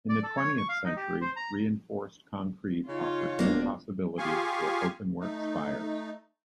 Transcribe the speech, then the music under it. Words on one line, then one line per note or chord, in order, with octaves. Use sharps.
In the twentieth century reinforced concrete offered new possibilities for openwork spires.
D5
A4
C#5
C#6
F5
D#4
G4
C5
A#5
C#3 D#4 F4 C#5
E1 A#3 D4
F4 G4 G#4 F5 G#5 C#6
A3 D#4